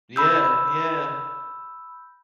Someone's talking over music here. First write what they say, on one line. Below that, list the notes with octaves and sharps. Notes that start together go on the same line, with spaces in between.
Yeah, yeah.
B5 E6 G6